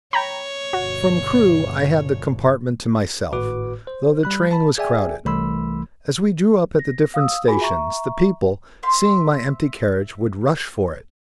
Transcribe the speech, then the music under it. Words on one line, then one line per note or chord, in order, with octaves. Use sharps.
From Crewe I had the compartment to myself, though the train was crowded. As we drew up at the different stations, the people, seeing my empty carriage, would rush for it.
C#5 G5 A#5 B5
G1 B2 F#4
G#1 A2 F#4 B4 D6
C5
G3 B5 F#6
A5 B5
G#4 D5 E5 G5 G#5
C2 E3 A3 B5 C6 E6
A#6
F5 D#6 E6
F4 F#4 G#4 A#4 G#5 B5
E5 A#5 C#6
C5 E5 F5 C6